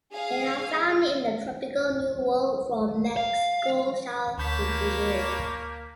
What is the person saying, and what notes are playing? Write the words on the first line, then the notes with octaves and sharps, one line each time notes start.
They are found in the tropical New World from Mexico south to Brazil.
G#4 F5
F5
D2 A#3 C#5 A5 B5 G6 B6